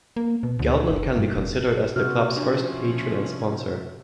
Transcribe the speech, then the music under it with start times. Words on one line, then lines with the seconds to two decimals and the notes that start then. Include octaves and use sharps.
Geldner can be considered as the club’s first patron and sponsor.
0.16 A#3
0.43 B2
0.59 D2
0.89 F#1
1.17 G2
1.36 F1
1.96 C3 F#4 F6
2.36 F3 C#4 D4